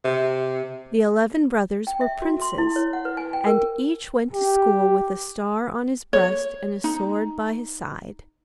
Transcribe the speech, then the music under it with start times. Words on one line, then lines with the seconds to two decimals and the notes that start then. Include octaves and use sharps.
The eleven brothers were princes, and each went to school with a star on his breast and a sword by his side.
0.05 C3
1.87 G5
2.01 E5
2.22 F#4
2.42 C6
2.58 E4
2.76 C#5
2.93 F#5
3.05 B4
3.17 G#5
3.33 G5
3.46 A#4
4.34 G4
6.13 C#5
6.84 D#4